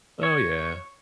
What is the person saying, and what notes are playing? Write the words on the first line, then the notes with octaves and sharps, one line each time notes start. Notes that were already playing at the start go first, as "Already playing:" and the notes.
Oh, yeah.
C#5